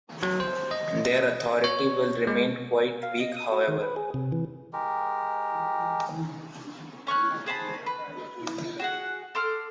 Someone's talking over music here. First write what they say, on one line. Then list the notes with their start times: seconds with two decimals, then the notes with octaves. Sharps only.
Their authority will remain quite weak however.
0.23 F#3
0.40 C5
0.71 D#5
1.64 C#5
2.27 G#3
3.03 F5
3.20 D#5
3.37 D#6
3.52 F#4
3.68 D#3
3.82 B4
3.96 G#4
4.14 C3
4.32 E3
4.73 G#3 G4 A#4
7.07 C#4 C#6 F6 F#6
7.46 G#4 C5 A5 B5
7.86 B4
8.79 F#4 G#4 F#5
9.35 A4 C6 D6 F6